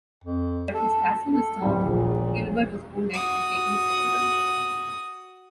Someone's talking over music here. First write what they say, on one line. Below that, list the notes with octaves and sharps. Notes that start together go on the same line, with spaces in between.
But his castle was stormed, Gilbert was wounded and taken prisoner.
F2
A4
A4
D1 G3
E1 A#1 A#2
F#4 D#6